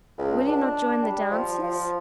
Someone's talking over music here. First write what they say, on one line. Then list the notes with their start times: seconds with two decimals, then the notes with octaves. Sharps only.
Will you not join the dancers?
0.18 C#2
0.47 D4
1.03 G3
1.31 F3
1.63 F3